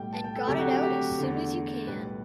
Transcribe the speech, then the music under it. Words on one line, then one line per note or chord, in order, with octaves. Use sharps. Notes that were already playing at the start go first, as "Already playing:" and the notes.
And got it out as soon as you can.
Already playing: B1 A2 G3 G5
A5
G5
A4
D2 C3 F#3 A3 G4
F#4
G4
G4
E2 D3 A3
B1 A2 G3 B4